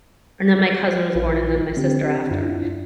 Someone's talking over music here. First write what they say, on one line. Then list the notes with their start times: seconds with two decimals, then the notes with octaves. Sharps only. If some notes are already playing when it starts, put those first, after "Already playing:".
and then my cousin was born and then my sister after.
1.15 A#1 E4 F4 B4
1.77 D3 C4 D4 G4
2.31 F#2 D4 E4 F4